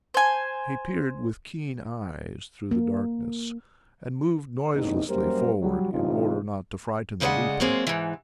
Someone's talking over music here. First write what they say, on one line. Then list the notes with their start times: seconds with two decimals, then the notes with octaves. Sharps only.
He peered with keen eyes through the darkness and moved noiselessly forward, in order not to frighten the weeper.
0.14 C5 G#5
2.71 A#3
4.73 A1 E2 C3 D#4
5.09 F#2 G3 A#3 G4 A#4 C5
5.60 F#3 G3
5.92 A1 G2 C3 D#4 F4
7.20 D2 C#3 G#3 C5 D5 F#5
7.60 F#3 G#3 A#3 C4 G#4
7.87 G#2 E3